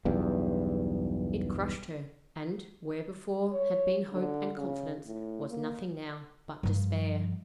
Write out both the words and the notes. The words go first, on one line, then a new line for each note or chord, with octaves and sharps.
It crushed her, and, where before had been hope and confidence, was nothing now but despair.
B1 E2 G2
C#5
D3
C#3
A2
A#3
G2 F3